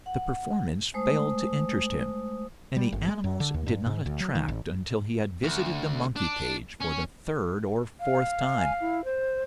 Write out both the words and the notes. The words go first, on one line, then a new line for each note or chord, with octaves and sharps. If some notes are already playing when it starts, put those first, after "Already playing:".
The performance failed to interest him, and the animals did not attract until he had visited the monkey-cage for the third or fourth time.
F#5
G#3 A3 C5 D#6
G3
G1
G#3
F#2
D3
D#2
G2
G#2
D2
F#3
D#3
A1
D2
D4
C#4
F5
G#5
E4
C5